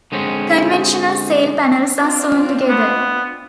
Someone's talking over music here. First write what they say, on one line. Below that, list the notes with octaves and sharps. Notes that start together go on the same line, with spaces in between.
Conventional sail panels are sewn together.
D3 G#3 C4 C#4
C4 D4 F4
B3